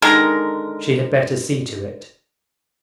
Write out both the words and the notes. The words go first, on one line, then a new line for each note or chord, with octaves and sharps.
She had better see to it.
D3 D#3 G#3 A#4